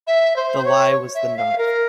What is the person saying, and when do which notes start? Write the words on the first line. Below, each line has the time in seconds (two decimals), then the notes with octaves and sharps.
The Lie was the Nark.
0.07 E5
0.36 C5
0.58 C5
0.65 C#5
1.15 E5
1.37 F5
1.58 A#4